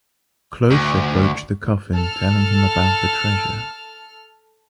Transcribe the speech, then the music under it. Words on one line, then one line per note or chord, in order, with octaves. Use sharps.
Cloche approached Coffin telling him about the treasure.
D2
A4 F6